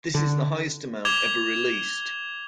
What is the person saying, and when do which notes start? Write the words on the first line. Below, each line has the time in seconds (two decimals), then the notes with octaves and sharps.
This is the highest amount ever released.
0.15 D3
1.05 D6 G#6 F7 G7